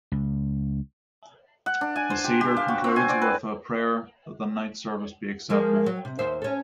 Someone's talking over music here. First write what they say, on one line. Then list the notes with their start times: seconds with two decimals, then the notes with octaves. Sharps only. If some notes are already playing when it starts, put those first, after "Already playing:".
The Seder concludes with a prayer that the night's service be accepted.
0.12 C#2
1.66 F#5
1.81 D4
1.96 G#5
2.10 C5
2.24 G4
2.41 G4
2.57 F5
2.68 F#4
2.84 C4
2.96 G#5
3.09 D5
3.22 B4
5.50 F3 G#3 A#3
5.86 F#3
6.05 C3
6.19 D#2 C5 E5
6.42 C#4 A4